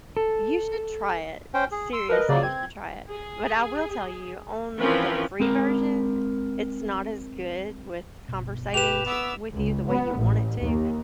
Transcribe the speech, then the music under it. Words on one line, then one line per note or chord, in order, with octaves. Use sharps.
You should try it. Seriously, you should try it, but I will tell you on the free version, it's not as good with conversating to with you the way you want it to,
A4
C#4 C5 G5
G#4
C6 E6
F3 A#4 B4 D#5
C#3 F#3 A#3 D5
C4 G#6
G#4
E3 F3 C4 C#4 A#4 B4
G#3 C4 A#4
G1 B2
G4 B4 E7 F7
B3 E5 D6 E6
C#2
B3
A1
D#2